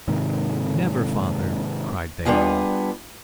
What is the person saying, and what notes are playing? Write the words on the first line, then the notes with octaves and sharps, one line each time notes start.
"Never, father!" cried they all.
G#2 C3 D#3
G3 B3 D4 F4 G#4